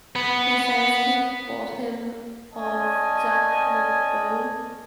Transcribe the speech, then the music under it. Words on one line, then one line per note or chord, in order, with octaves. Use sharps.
He says he bought him of Jacques Le Beau.
B3 B4
C#4 D5 D#5 G#5 A5